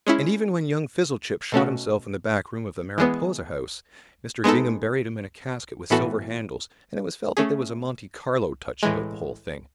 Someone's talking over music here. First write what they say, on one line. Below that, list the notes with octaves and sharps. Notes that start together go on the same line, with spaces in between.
And even when young Fizzlechip shot himself in the back room of the Mariposa House, Mr. Gingham buried him in a casket with silver handles and it was felt that there was a Monte Carlo touch about the whole thing.
G#3 C#4 E4
B2 A3 C#4 F#4
E3 G#3 B3
G#3 B3 D#4 A4
A2 E3 B3 F#4 A4
A3 C#4 G#4
A2 E3 G#3